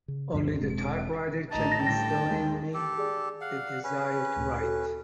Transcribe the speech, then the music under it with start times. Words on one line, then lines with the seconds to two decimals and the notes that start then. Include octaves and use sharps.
Only the typewriter can instil in me the desire to write.
0.08 C#3
0.33 D2 G2 B2 F3
0.61 E1 B2 G#3 C4
1.51 A1 D3 D#4 A5
1.81 A2 D3 G3 G5
2.25 D#2 G#3
2.74 G4 A4
2.98 G#4 D5
3.41 F5 F#5
3.84 C#4 B4
4.36 D2 A#2
4.61 F#4 A4